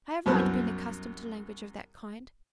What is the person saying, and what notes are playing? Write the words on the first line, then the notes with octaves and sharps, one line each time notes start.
I have not been accustomed to language of that kind.
C2 F#2 B3 C4 C5 F#6